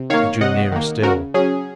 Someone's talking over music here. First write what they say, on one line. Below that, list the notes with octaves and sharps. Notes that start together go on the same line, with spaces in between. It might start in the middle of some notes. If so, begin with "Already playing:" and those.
He drew nearer still.
Already playing: C3
D#3 A#3 C#5 F5
C3 D#5 F#5
D#3 A#3
C#3 F#4 A#4
F#3 C#4 G#4